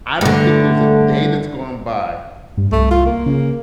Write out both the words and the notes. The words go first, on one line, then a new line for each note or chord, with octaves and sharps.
I don't think there's a day that's gone by
G2 D3 A3
G2
C2 A3
F4
A#3
C#3